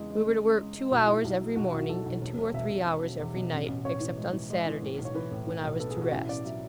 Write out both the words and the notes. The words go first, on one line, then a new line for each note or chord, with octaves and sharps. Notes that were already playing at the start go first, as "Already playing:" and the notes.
We were to work two hours every morning, and two or three hours every night, except on Saturdays, when I was to rest.
Already playing: E2 C#3 G#3 E4
G#3
C#3
C#4
G#3
G#3
B1 F#4
E4
B1
B1
F#3
B1 F#4
E4
B1
F#4
B1 A4
B1
E1
E1
E1 E5
E1
E1
E1
E2
B2
A1
A1
A1 C#5
E3
G#3
E3
G#3
E3
A2
B1
C#5
E3 B4
A2
E3
B1
B3 A4
G#4
B1 F#4
A1 E4
A1 D5
F#3 E5